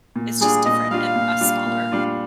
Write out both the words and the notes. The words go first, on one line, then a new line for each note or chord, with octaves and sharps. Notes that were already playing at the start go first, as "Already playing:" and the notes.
it's just different and a smaller
A#2
G3 D4 F4 G#4
A#2 D#5
G3 D4 F4 F5
A#2
G3 D4 F4
A#2
G3 D4 F4